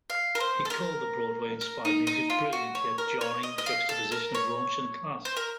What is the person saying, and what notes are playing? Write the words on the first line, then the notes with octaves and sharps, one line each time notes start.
He called the Broadway-inspired music "brilliant yet jarring juxtaposition of raunch and class".
F5
A#4
C5
A4
A#4
A#4
D#4
D#4
F4
F#4
C#5
A#4
C#5
D#5
D#5
F5
A4
A#4
C#5
C5
A#4